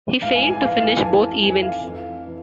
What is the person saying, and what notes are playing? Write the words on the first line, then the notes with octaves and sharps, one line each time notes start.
He failed to finish both events.
G#2 E3 F5
G#5
G#5
G#2 E3 F5
F5
G#5
F2 E3 A5
F2 E3 G#5
F5
F2 E3
E3